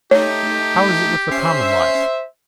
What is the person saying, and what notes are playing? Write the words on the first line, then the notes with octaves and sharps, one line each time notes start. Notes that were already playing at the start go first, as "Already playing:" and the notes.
How is it with the common lives?
A3 D#4 G4 C#5
C#4 C5 E5 C7